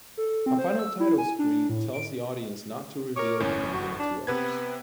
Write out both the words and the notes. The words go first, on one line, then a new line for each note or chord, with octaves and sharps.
A final title screen tells the audience not to reveal the ending to others.
A4
C4
C5
E6
E4
G#5
D4
A2
D7
A#4 C#5 D6
G1 E2 A2 C#4
F#4
D4
C3 B3 B4 G#6